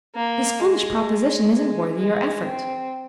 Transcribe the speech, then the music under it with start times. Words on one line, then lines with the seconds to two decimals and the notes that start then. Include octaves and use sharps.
This foolish proposition isn't worthy your effort.
0.16 A#3
0.60 G#3
1.51 G#3
1.95 G#3
2.41 C4